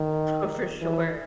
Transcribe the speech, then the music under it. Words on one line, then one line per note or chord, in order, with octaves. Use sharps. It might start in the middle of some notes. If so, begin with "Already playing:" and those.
Oh, for sure.
Already playing: D#3
E3